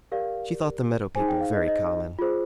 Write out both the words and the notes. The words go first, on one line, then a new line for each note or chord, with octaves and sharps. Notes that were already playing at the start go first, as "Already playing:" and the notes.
She thought the meadow people very common.
G4 A#4 D5 F5
D#4 G#4 C5 G#5
G5
F5
D#5
D#5
F4 G#4 C5